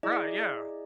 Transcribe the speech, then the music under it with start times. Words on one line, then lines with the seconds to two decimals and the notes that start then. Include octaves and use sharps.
Right, yeah.
0.03 E4 G#4 D5 D#5